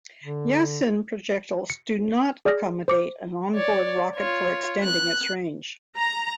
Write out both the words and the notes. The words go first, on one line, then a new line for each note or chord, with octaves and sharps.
Yasin projectiles do not accommodate an onboard rocket for extending its range.
D3
C#7
G#4 D5 D#6 F6 A#6
C5 D6 C#7
C#5 D5
F4 C#5
F#6
A#5